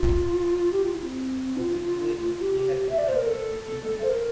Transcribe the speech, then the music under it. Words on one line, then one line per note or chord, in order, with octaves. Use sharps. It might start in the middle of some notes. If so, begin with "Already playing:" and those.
A week later he had begun "The Demon Lover."
Already playing: F4
G4
F4
E4
C4
F4
G4
E5
D5
C5
A#4
A4
C5
A#4